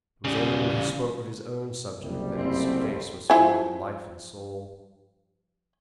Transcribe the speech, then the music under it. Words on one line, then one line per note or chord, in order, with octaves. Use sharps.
It was only when he spoke of his own subject that his face was filled with life and soul.
C#3 G3
F#1 C2 G3
A3 C4
F3 E4 G#5